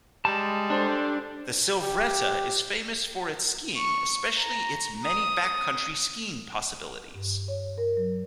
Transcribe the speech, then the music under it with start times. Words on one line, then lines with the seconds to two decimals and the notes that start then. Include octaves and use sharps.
The Silvretta is famous for its skiing especially its many backcountry skiing possibilities.
0.25 G3 G#3 A5
0.70 D4 A4 C5
1.83 G4
3.76 C#6
4.39 A#5
5.04 D#6
7.14 G2
7.48 C#5
7.78 A#4
7.97 F#3